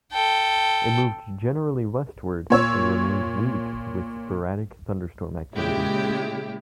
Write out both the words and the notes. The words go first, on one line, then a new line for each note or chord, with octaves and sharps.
It moved generally westward, and remained weak with sporadic thunderstorm activity.
A4 G5
A#2 C#5 E6
A#2 C#3 G#3 E4 G4